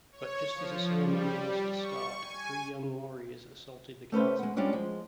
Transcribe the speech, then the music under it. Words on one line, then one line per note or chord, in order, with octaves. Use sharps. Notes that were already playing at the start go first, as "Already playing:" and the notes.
But just as the ceremony was to start, three young warriors assaulted the castle.
C#5
F3
G3
C#6
G#5
A3 C#4 B4 C5
G#3 B3
G3 G#3 C#4 D4 F4
F3 G#3